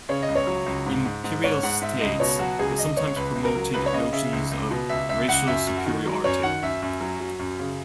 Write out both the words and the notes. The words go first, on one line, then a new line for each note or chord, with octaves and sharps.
Imperial states have sometimes promoted notions of racial superiority.
C#3 C#5
D#5
C#2
C#5
F#3
C#2
G#2
G#2
G#2
G#2 C#5
G#2 F#5
G#2 E5
C#2 D#5
B2 C#5
F#3 F#4
C#2 G#4
C#2 D#5
C#2 C#5
C#2 B4
C#2
A#4
F#3
C#2 B4
C#5
C#3 D#5
C#3 E5
C#2
C#2
B2
C#2 E5
C#2 E5
C#2 F#5
F#2 E5
F#2
F#4
D#3
F#3
F#2 C#5
D#3 F#5
F#2 E5
F#2
F#3
F#3
F#2
C#3